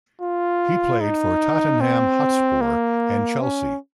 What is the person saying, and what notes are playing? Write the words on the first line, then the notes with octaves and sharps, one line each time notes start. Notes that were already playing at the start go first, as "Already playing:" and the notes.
He played for Tottenham Hotspur and Chelsea.
F4
D#4
C4
A#3
C#4